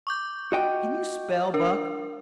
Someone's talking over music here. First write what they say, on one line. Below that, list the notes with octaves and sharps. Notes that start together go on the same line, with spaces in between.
"Can you spell, Buck?"
C#6 D6 G6
F#4 D#5 G5
D4 A#4